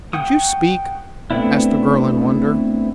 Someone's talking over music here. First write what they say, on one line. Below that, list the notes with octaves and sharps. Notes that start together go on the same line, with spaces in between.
"Did you speak?" asked the girl, in wonder.
F#5 G5 C#6 D#6
A3 B3 C4 D4 E4